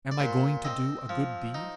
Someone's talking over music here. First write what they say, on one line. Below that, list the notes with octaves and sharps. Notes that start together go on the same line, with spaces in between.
Am I going to do a good deed?
D5
A#2 C5
C4 D#5
F3
D#4